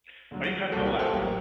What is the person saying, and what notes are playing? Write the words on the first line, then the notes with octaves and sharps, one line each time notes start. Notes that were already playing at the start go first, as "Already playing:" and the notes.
Are you having a laugh?
D#2 D3 F#3
C2 A#2 G3 A#3 F#4 A4
G4 A#4
A4 C5
A1 A2 F#3 A#3 G4 A#4